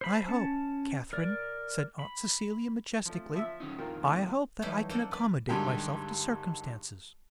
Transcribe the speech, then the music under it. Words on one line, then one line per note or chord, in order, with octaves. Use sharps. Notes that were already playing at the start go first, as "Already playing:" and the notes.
'I hope, Katharine,' said Aunt Celia majestically--'I hope that I can accommodate myself to circumstances.
C5 B5
C#4 A5
A#4 D5
B5
F3 A3
F3 E5 E6
D#3 C#4 D#4
F2 D#3 F4 A#4 G5
F3 A3
E3 F#3 G3 A3 D#4
F#2 A#3 A4 F#5 G5
B4 D5
G2 D3 D#3 F#3 G#3 G4